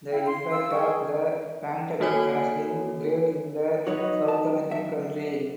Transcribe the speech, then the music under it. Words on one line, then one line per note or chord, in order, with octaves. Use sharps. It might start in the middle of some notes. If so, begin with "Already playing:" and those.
The impact of the pandemic has been great in the South American country.
E4 F5 G5
C6
F5 E6
G#4 G5 C#6
A#3 F#4 A4 C#5 G#5
F#3 D#4 F#4 B4 C#5
A5
E5